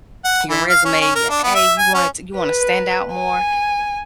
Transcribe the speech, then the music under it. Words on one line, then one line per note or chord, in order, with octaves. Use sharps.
your resume, "Hey, you want it to you wanna stand out more,
F#5
E3
F5
C#4
C#4
A#4
D4
B3
E5
G#5
C#4
B4
G#5